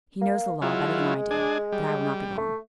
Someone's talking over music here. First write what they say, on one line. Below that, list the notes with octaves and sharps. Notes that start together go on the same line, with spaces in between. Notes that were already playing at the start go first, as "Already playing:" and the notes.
"He knows the law better than I do; but I will not be long."
A#3
F#3 G#3 E4 F4
D4 G#4
G3
A3